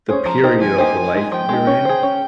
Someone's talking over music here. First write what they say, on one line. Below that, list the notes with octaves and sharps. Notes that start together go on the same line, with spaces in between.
the period of life you're in.
C#4 G#4 C5
F3 A#5
A#3 D#4 G4 C5
F3 G#5
A#3 D#4 G4 C5
F3
G#3 D#4
F3 G5
G#3 D#4
C#4
G#4 C5
C#4